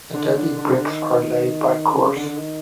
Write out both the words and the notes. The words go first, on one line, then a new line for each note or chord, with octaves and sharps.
Adobe bricks are laid by course.
D3
D#3
D3
D3
D3
D#3
C#3
C#3
D3
D3
D#3